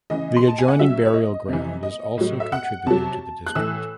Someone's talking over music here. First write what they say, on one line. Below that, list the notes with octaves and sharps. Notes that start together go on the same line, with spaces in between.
The adjoining burial ground is also contributing to the district.
C#3 E3 D#5
C6
A5
G#5
F#5
C#3 F#3 E5
C#5
D#5
C3 E3
D#5
A2 F#3
E5
F#5
C3 F#3 A5
F#6
A2 E3 E6